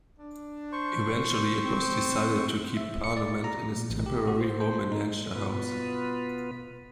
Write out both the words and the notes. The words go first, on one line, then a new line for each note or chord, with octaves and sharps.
Eventually it was decided to keep parliament in its temporary home in Leinster House.
D4
C5 C#6
C4
E5
C#7
D5
A#5
A#2
A1
G4
F#4
C5
C5
D#4
B2 B3 F4 B4